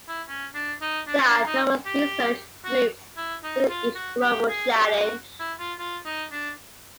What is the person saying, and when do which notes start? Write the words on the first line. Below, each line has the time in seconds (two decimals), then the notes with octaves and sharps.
There are numerous research groups within each Global Challenge.
0.08 E4
0.28 C#4
0.54 D4
0.81 D#4
1.07 D4
1.27 D4
1.47 D#4
1.86 G4
2.64 F#4
3.17 E4
3.43 D#4
3.69 F4
3.95 F#4
4.21 G4
4.48 G#4
4.74 G4
5.00 F#4
5.39 E4
5.59 F4
5.79 F4
6.05 D#4
6.32 D4